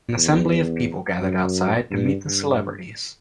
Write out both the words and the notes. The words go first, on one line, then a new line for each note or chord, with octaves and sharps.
An assembly of people gathered outside to meet the celebrities.
E2
F#2
G2
G2